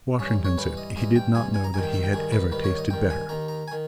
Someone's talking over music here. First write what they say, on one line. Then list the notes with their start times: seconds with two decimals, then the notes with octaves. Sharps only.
Washington said he did not know that he had ever tasted better.
0.19 G2 E3 C#4
0.45 C#5
0.58 G2 E3 B4
0.77 D#5
0.96 G2 E3 D#5
1.16 G5
1.35 G2 E3 G#5
1.54 G#5
1.64 A#5
1.74 G2 D#3 G#5
1.83 G5
1.93 E5
2.04 G5
2.13 G2 D#3 G#4
2.32 B4
2.52 G2 D#3 B4
2.64 C#5
2.78 D#5
2.90 G2 D#3 G5
3.10 G#5
3.29 D#2 D#3 A#5
3.48 A#5
3.68 G#5
3.72 D#3